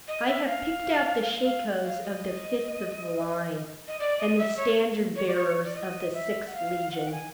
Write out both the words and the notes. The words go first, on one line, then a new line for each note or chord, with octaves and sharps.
I have picked out the shakos of the fifth of the line, and the standard-bearers of the sixth legion.
D#5
E5
F5
F5
F5
D#5
D#5
D5
D#5
E5
C#5
C#5
D5
C#5
D5
D#5
E5
F#5
F5
F#5
G5
G#5